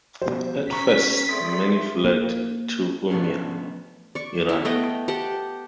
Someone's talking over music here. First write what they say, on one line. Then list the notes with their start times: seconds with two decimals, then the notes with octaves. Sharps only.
At first, many fled to Urmia, Iran.
0.22 B2 F3 G3 C5
0.71 C#4 A#5 C#6 B6
1.29 C4 G#4 A4 D5 E5 C6
2.05 A#3
3.10 F3 A3 B3 C#4 D4
4.15 D5 C#6
4.49 E4
4.65 A3 B3 D#5 G5
5.08 G4 F#5 G5 A5